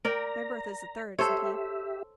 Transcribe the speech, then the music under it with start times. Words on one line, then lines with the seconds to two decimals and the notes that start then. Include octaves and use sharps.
"My berth is the third," said he.
0.05 A#4 D5 G5 A#5
1.19 G4 A4 C5 C#5 E5